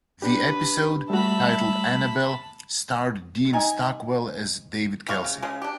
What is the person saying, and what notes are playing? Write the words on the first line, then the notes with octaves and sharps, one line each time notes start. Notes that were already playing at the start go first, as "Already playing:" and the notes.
The episode, titled "Annabel," starred Dean Stockwell as David Kelsey.
D4 G4 B4
G3 A3 F#4 E5 A5 B5
C3 D#4 G#5
C3 F5 C#6
C#3
C#3 G#3
D4 G4